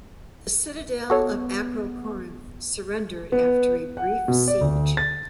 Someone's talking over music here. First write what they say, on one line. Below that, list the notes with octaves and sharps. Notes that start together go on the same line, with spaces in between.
The citadel of Acrocorinth surrendered after a brief siege.
B3 F#4 A4 C#5
B3
F#5
B2
D5
D2
A6